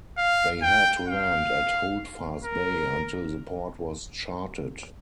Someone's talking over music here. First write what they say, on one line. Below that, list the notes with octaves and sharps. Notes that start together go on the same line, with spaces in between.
They had to land at Holdfast Bay until the port was charted.
F5
G5
F5
A#4